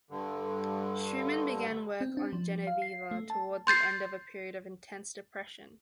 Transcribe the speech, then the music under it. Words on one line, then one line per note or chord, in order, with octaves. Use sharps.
Schumann began work on "Genoveva" toward the end of a period of intense depression.
G2 D3
C4
D4
F3
F5
C7
A3
A5
C6 G6 A6 C7